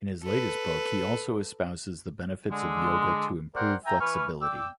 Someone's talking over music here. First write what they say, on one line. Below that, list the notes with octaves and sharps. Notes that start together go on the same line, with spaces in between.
In his latest book he also espouses the benefits of yoga to improve flexibility.
A4 B4
D3 G#3
A#4 C5 D5 F#5 G5 C6
E5 G5 G#5 A#5
E3 B4 G#5 C#6 F6
D5 G5 D6 E6